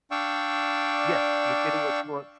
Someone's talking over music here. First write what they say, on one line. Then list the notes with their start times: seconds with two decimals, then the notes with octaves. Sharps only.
Yes, you're getting what you want
0.11 D4 D5 F5 G5 C#6 E6